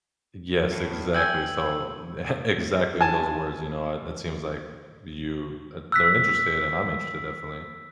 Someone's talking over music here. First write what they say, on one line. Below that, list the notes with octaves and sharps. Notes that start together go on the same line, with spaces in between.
Yes, exactly. So the exactly in those words, you know? I it seems like you at they're interested, and I'm interested definitely,
A2
G5 G#5 E6
G#5 A5
E6 F#6 B6